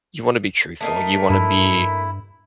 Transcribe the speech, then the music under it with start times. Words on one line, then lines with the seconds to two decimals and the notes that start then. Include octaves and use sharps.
you want to be truthful. You wanna be
0.81 A3 A#3 D#4
1.30 G2 E4